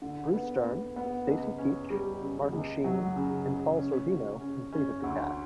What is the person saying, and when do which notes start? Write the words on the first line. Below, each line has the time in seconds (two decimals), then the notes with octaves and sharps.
Bruce Dern, Stacy Keach, Martin Sheen, and Paul Sorvino completed the cast.
0.02 D3
0.33 B3
0.65 B3
0.96 B3
1.27 C#2
1.58 C#4
1.90 G3
2.21 C#3
2.53 C#2
2.84 F#3
3.16 C#3
3.47 C#3
3.78 C#4
4.10 F#4
4.41 C#4
4.72 C#4
5.04 D2